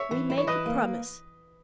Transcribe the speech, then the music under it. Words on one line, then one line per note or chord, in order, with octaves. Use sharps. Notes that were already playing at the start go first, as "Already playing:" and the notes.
We make a promise.
Already playing: C#5 E5
E3
E4
C#5
E3 B4 D#5
A#3